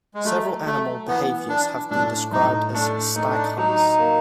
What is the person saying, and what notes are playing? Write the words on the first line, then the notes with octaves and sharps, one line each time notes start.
Several animal behaviors have been described as stag hunts.
G#3
F#3 A3
F#3 A3
E3 B3
D4 E4
A2 D4
A2 D#4
A3 D4
A3 D#4
D4
D#4
F#3 D#4
A#3